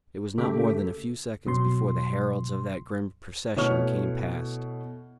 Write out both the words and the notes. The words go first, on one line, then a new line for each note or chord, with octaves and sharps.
It was not more than a few seconds before the heralds of that grim procession came past.
C#3 A3 G4 A4
B2 F#3 C6
B2 A3 E4 C#5 C#6 F6